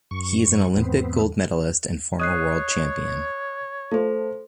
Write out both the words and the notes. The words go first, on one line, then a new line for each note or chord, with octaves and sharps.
He is an Olympic gold medalist and former world champion.
F#2 C#6
E2 G#2 B3 C4
C#5 D#5 D#6 F#6 C7 D#7
A3 F4 A4 C5